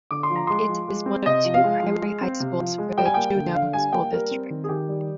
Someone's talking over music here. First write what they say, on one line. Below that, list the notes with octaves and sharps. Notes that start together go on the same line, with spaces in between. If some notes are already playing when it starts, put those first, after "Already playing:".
It is one of two primary high schools for the Juneau School District.
D3 D6
C6
F3
A#5
G#3 C6
F3
G#3
C4
C3 D#5
F3
F5
G#3
F3
G#3
C4
C3
F3
G#3
G3 G5
G#5
A#3 G5
D3
D3 F5
G3 G#5
A#3 G5
G3 A#4
C4
D#3
G#4
D#3 G4
G3